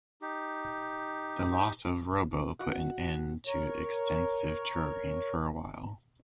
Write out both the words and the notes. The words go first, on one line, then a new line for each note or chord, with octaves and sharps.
The loss of Robo put an end to extensive touring for a while.
D#4 G4
F#4 F#5
A#4 C#5